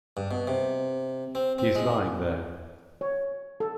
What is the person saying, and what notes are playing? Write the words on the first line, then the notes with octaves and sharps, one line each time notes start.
He's lying there.
G2
B2
C3
C4
C4
G#3
C#5
A4